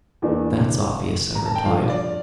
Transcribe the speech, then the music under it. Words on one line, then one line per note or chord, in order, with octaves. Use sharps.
"That's obvious," I replied.
E2 E3 A#3 D4
A#5
A5
G5
G2 D3 F3 F5
D5